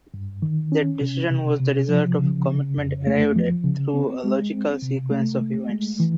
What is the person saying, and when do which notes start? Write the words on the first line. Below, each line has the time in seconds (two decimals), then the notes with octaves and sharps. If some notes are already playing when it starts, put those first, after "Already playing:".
That decision was the result of a commitment arrived at through a logical sequence of events.
0.14 G2
0.42 D#3
0.72 C#4
1.01 C3
1.30 C3
1.60 C3
1.89 F3
2.19 C#3
2.48 C#3
2.77 F2
3.07 A3
3.36 F3
3.64 C#3
3.94 C4
4.24 G#3
4.53 C4
4.82 C3
5.11 A3
5.41 A3
5.69 G#3
6.00 E3